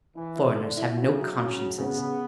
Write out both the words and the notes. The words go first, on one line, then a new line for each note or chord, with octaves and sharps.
Foreigners have no consciences.
E3 E4
E4
D3 A4
E4
C#3 F#4
F#3
C#3 F#3
F#3
C#3 B3
C#3